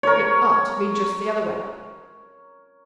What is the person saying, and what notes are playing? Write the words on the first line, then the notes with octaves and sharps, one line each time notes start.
It ought to be just the other way.
A#4 C#5